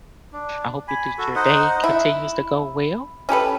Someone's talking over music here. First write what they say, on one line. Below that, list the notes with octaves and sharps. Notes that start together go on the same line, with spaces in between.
I hope your t your day continues to go well,
D4
G#5 B5
F#4 A4
D#4 C5 D#5 F#5
E4
C#4 G4 A4 B4